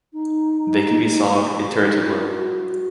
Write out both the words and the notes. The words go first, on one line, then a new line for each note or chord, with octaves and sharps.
They can be solved iteratively.
D#4
D#4
E4
F#4
F4
F#4